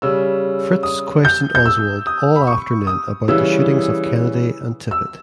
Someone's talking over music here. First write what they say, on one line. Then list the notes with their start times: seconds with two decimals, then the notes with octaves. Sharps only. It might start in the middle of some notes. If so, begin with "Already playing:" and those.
Fritz questioned Oswald all afternoon about the shootings of Kennedy and Tippit.
0.02 C#3 G3 E6
0.83 D#6
1.25 G6
1.55 G6
1.66 E6
2.07 D#6
2.36 B5
2.47 C#6
2.87 D#6
3.28 C#3 E3 G3 E6
4.91 E6